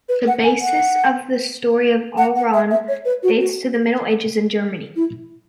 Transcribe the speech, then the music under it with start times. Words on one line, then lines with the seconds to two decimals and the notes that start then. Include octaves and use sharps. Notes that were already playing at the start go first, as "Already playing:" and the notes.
The basis of the story of Alraune dates to the Middle Ages in Germany.
0.09 B4
0.27 F#5
0.44 G#5
0.61 F#5
2.18 F#5
2.36 F#5
2.53 E5
2.71 E5
2.88 C#5
3.05 B4
3.23 F#4
3.40 F#4
4.96 E4